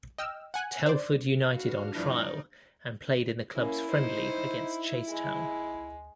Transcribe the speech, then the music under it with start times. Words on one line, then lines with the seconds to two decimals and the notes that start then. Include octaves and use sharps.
Telford United on trial and played in the club's friendly against Chasetown.
0.18 D#5 G5 E6 F6
0.54 F#5 G#5 F#6
0.86 C5 D5
1.51 D4 F#4 B4 F5 F6
1.95 G2 F3 D#4 E4 D5
3.56 A#3 C#4 E4
3.90 D#4 C5
5.10 G#3